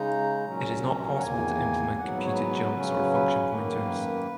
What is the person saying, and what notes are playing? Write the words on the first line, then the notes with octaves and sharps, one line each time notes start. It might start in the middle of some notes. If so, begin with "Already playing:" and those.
It is not possible to implement computed jumps or function pointers.
Already playing: C#3 G#3 D#4 A#5
A#2 F#3 C#4
F#5
E2 D#3 A#3 G#5
G#2 F#3 B3 F#5
B4
C#5
B4
C#3 F#3 C#4
B4
F#2 D#3 A#3